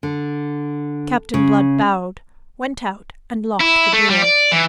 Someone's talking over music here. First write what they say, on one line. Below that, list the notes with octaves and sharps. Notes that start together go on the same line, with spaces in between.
Captain Blood bowed, went out, and locked the door.
D3
C#3
E4
A3
G3
D5
E3